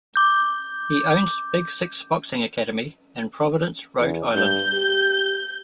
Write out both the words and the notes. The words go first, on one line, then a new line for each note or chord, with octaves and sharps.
He owns Big Six Boxing Academy in Providence, Rhode Island.
D6 G6
E2
G2 G6
G4